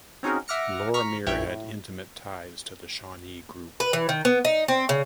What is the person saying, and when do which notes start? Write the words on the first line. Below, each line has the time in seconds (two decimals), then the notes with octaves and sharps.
Lorimier had intimate ties to the Shawnee group.
0.23 C4 C#4 D#4 F#4 G#4 A#4
0.48 E5 F#5 D6 F6 A#6 C#7
0.94 A#5 C#6 F6 B6
1.26 A#1 F#2 E3 E4 C#5 G5
1.46 A2
3.80 B4
3.93 E3
4.09 D#3
4.25 B3
4.45 D#4
4.68 C4
4.89 C#3